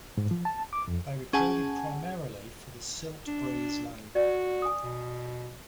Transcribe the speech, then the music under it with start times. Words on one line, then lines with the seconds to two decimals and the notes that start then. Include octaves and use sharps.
They recorded primarily for the Siltbreeze label.
0.17 G#2
0.31 F3
0.45 A5
0.73 D6
0.88 F2
1.33 C#4 G#4 F#5 G#5 A5
3.27 D4
4.15 F#4 D5
4.62 G#5 D#6
4.83 B2